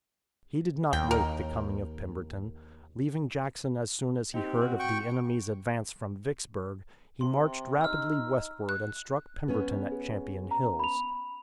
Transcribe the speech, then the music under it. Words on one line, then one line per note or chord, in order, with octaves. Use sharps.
He did not wait the coming of Pemberton. Leaving Jackson as soon as he heard of the enemy's advance from Vicksburg, he marched rapidly westward and struck Pemberton at Champion Hills.
D#2 G5
A#4
C4 D#4 G4
F#4
G5 C#6
C3 C6
D#4 E6 F6
F#6
B3 C#4 C#5
G#4
A#5
B5 F7